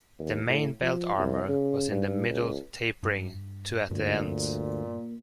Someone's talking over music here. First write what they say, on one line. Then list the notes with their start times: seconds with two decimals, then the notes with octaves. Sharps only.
The main belt armor was in the middle tapering to at the ends.
0.19 D#2
0.49 A2
0.81 F3
1.18 C2
1.49 C#3
1.91 G2
2.29 C#2
3.03 G2
3.91 D2 G2 A#2
4.87 A#3